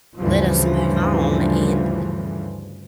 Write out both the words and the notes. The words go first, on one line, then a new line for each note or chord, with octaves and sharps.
let us move on, and
D2 G2 C#3 E3 F3